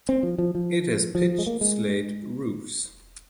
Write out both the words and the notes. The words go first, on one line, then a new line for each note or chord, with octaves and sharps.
It has pitched slate roofs.
C4
F3
F3
F3
F3
G#3
A#3
G#3